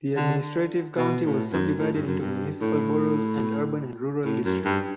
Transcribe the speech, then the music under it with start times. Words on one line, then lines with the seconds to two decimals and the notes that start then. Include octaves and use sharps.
The administrative county was subdivided into municipal boroughs and urban and rural districts.
0.17 D3
0.97 B2
1.25 A2
1.53 F#2
1.79 A2
1.93 G2
2.07 F#2
2.20 G2
2.61 A2
4.25 A2
4.45 F#2
4.65 G2